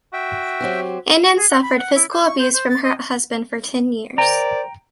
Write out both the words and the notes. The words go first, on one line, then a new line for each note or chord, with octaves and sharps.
Anand suffered physical abuse from her husband for ten years.
F#4 E5 G5
F#3 C4 G4
G#4
F#5
B5
F#5
E4
C5
C#6
C5
C5
A6
D#5
A#4 C5 D5 G5 A#5